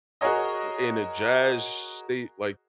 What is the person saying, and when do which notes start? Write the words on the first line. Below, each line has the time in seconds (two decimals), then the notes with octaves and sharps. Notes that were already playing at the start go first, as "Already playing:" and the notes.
in a jazz state? Like,
0.21 F#4 G#4 A#4 C#5 D#5